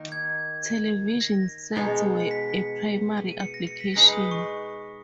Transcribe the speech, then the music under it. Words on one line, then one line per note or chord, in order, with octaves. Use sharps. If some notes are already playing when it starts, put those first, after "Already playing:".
Television sets were a primary application.
Already playing: D#3 A#3 D#4 A#4
G#6
A#6
B2 G#3 B3 D#4
C#7
B6
D#7
C#7
A#6
C#7
B6
G#3 D#4 G#4 B4 A#6
D#6
C#6